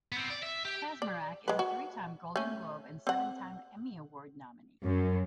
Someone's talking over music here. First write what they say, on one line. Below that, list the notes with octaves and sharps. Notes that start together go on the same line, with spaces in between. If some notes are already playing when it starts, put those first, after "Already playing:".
Kaczmarek is a three-time Golden Globe and seven-time Emmy Award nominee.
B3 C4
D5
E5
G4
D5
G#3 B4
F#4
A3 C#4
C4 F#5
F#2